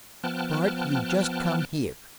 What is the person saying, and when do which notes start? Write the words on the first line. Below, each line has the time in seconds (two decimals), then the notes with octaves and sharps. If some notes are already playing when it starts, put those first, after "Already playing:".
"Bart, you just come here!"
0.24 F3 B3 G5 A5 F6 F#6